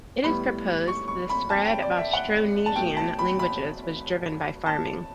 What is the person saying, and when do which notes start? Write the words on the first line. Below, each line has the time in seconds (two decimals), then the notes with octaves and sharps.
It is proposed that the spread of Austronesian languages was driven by farming.
0.24 A2 G3 B3 B5
0.88 C#6
1.08 C#6
1.29 B5
1.50 A5
1.65 G5
1.82 D5
1.98 E5
2.13 F#5
2.66 A5
2.76 B2 A3 G5
2.97 A5
3.19 B5
3.39 B5
4.66 A5